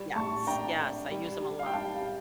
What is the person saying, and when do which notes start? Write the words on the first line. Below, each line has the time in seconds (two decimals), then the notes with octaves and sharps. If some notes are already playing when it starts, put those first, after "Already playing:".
Yes, yes. I use 'em a lot.
Already playing: G3
0.15 A2 A5 C#6
0.47 D4 G5 A#5
0.80 D4
1.11 G3
1.42 G3
1.59 F5
1.66 G5
1.73 G3 F5 A5